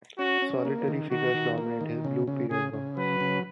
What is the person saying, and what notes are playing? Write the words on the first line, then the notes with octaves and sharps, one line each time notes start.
Solitary figures dominate his Blue Period works.
C#4 F#4
C#4
A#3
D#3
D#3 F#4
D#3
A#3
D#3
C#3
C#3
C#3 G#4
C#3
F#3 B4
C#3